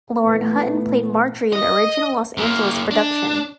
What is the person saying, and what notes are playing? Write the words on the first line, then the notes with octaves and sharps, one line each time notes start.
Lauren Hutton played Marjorie in the original Los Angeles production.
A#2 E3 A3 B3
D#5
F#2 A#3
D4